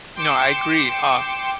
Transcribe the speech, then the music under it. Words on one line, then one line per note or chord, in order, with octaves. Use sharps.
No, I agree, uh,
G5 C6 D6 C#7 E7